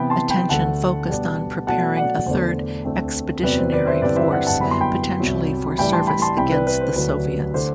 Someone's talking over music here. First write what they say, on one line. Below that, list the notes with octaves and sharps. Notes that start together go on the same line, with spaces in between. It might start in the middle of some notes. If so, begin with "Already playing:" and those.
Attention focused on preparing a third Expeditionary Force potentially for service against the Soviets.
Already playing: C3 E3 B3 E4 G5 B5
A5 C6
G5 B5
D2 D3 A3 F#5 A5
B2 G3 B3 D4
B2 F#3 A3 D4 F#5 A5
D5 F#5
E2 D3 A3 D4 C5
D2 D3 A3 C4
E2 C3 F#3 C4 B4 D5
C5
B4 D5
C5 E5
G2 D3 G3 C4 E4 B4 D5
C5 E5
D5 F#5
F#5 A5
F#2 D3 G3 B3 E4 B5
C6
G5 B5
C2 C3 F#3
A2 E3 G3 D4 G5 B5
A5 C6
G5 B5
A5 C6
C2 C3 G3 C4 E4 G5 B5
B4 D5
B4
C5
D2 D3 F#3 B4
D3 A3 C5